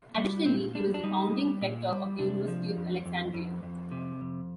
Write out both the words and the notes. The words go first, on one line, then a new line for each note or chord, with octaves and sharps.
Additionally, he was the founding Rector of the University of Alexandria.
G3
A#2 C4
G3 D4
D4
G3 D#4
G3
A#2
G3
C3 D4
F3
F2
F2
F2
F2
C3
F2